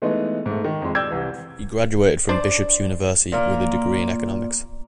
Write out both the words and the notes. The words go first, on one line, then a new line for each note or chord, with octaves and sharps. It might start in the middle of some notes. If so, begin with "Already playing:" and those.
He graduated from Bishop's University with a degree in economics.
E3 G#3 A3 B3 D#4
G#2 A3
D#3
F2 G#3
D5 G5 E6 G6 G#6
C2 E3
D4 C5 D5
A#2 A#3